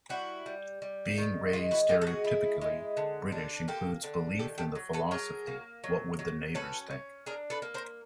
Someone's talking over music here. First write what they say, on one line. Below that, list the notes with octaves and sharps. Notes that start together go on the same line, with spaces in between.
Being raised stereotypically British includes belief in the philosophy: What would the neighbours think?
G3 E4 F#4
G3
G3
D#3
G#3 F4
E4 F#4
G#3 F4 G4
A4
F#4 G#4
E4
G#3
D3
D4
A#3 G4 A4
D3
D#3 G4 A4
G4 A4
F#3
A4 B4
F#3 G#4 A#4
A#3
F#3
F#3
C#4 A4 B4
C#4
D4 G#4 A#4
A4 B4
A#3
A#4 C5